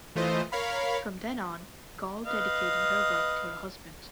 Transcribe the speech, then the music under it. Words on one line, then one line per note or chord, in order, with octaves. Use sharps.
From then on, Goll dedicated her work to her husband.
E3 A3 F4 C5 D#5
A#4 C#5 F5 B5
B4 D#5 F5